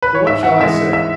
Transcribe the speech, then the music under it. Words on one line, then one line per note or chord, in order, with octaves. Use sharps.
For what shall I say?
B4
C#5
G#2 E5
F#5
E3 G#3 E5
E5